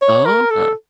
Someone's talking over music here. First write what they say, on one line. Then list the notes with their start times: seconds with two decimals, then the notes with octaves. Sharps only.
Oh, okay.
0.02 C#5
0.25 A#4
0.50 A4